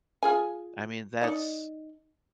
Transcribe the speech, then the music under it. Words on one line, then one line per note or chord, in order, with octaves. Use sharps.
I mean, that's,
F4 G#4 G#5
D#4 D5 D#5